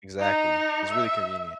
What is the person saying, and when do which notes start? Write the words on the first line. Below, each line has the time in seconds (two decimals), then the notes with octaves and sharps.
Exactly. It's really convenient.
0.20 D#4
0.89 E5